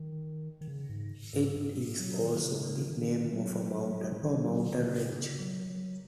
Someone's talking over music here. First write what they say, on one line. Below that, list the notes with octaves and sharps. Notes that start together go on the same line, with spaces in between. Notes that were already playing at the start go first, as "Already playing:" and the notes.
It is also the name of a mountain or mountain range.
Already playing: D#3
D#3
C#3
G#2
G#2
G#2
F#3
D#3
C#3
D#3
F#3
D#3
F#3
D#3
C#3
C#3
F#3
F#3